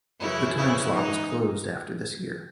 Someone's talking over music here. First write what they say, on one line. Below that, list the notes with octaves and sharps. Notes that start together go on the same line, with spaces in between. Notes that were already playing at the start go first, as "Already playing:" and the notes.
The time slot was closed after this year.
F#2 C#3 E3 E4
F2 C#3 E3 E4
G#2 E3 D#4